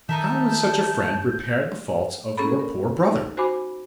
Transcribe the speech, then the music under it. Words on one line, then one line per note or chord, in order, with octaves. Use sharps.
How would such a friend repair the faults of your poor brother!
D#3 D#4 A#4 E5 A5 G6
A#3 C#4 G#4 A4 B5
A#4
D#4 G4
F#4 C5 G#5 B5 D6